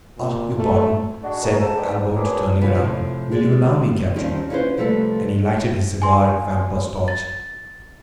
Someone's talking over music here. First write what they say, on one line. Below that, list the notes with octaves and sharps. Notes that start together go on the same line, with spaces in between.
"Ah, your pardon," said Albert, turning round; "will you allow me, captain?" And he lighted his cigar at Vampa's torch.
A#2
A3
G#3 D4 F#4
F#3 A3 B3 F#4 G#4 A#4
C#2 G#2 A4
G3 G#3 B3 D4 G4
G#2
F#3 A#3 B3 D4 F4 G#4
D2 C3 F4 B4 G#5
A2 C3 F3
G#3 D5
D#3 F3 G3 C4 C#4
C#4 D4 E4 F4 B4 C5
C3 F3 G3 A3 A4 B4
G#5 C6
A6